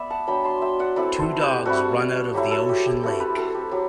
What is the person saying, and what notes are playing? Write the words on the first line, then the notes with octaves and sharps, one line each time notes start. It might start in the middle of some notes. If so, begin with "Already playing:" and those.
Two dogs run out of the ocean lake.
Already playing: B3 D5 E5
F#5 A5
F#3 B3 D4 G5 B5
A5 C6
E5 G5
D5 F#5
A3 C4 E4 B4 D5
A4 C5
G4 B4
G3 C4 E4 F#4 A4
F#3 A3 E4 G4
F#4 A4
G4
G4
A3 C4 E4 F#4 A4
G4 B4
F#4 A4
G4
F#3 G4